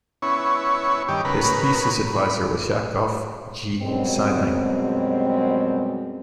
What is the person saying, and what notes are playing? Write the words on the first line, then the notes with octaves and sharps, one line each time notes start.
His thesis adviser was Yakov G. Sinai.
B3 C#4 E4 C#5
G2 D#3 G4 D6
C#3 B3 A#4 B4
B5
F#2 B2 G3 G#3 C4